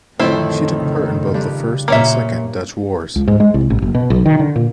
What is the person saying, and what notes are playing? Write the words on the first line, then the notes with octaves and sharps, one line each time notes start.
She took part in both the First and Second Dutch Wars.
F2 A2 D3 D#3 C4 E4
C#3
G2
A#2 A#3 C#4 E5
C#2
G#2
G#3
C2
A1
F#1
B2
B1
D#3
D3
A#2